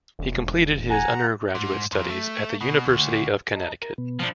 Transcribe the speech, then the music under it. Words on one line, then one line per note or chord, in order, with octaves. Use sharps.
He completed his undergraduate studies at the University of Connecticut.
E1
F#5 G#5 A#5
G#2
F2
A3
B2
D2
D#5 A5 A#5
A#4 A#5
B2 B3
F3 D4